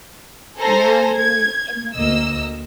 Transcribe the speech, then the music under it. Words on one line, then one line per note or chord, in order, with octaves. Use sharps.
And now you're in the field.
A4 C5 G#5 A#5
G#6
D2 A#3 D#5 E6